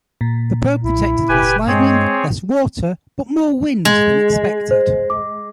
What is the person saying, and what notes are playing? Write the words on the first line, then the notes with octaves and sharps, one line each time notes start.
The probe detected less lightning, less water, but more winds than expected.
A#2
B1 E4
F#1 G4 B4 G#5
G2 G#3 C4 G#4 C#5
G#3
C5
D6